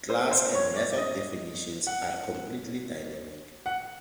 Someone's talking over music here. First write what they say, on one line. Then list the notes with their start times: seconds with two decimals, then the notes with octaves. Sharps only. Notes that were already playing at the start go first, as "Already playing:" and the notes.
Class and method definitions are completely dynamic.
0.10 C5
0.31 C5
0.54 C#5
0.76 D5
0.98 D#5
1.87 F#5
3.66 F#5